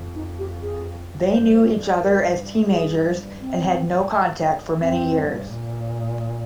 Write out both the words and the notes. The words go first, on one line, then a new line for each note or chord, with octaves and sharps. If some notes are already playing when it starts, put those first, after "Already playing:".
They knew each other as teenagers, and had no contact for many years.
Already playing: F2
D#4
G4
G#4
G2 C5
G2
G2 A#4
G2 G#4
G#2 C4
F2 C4
G2
A#2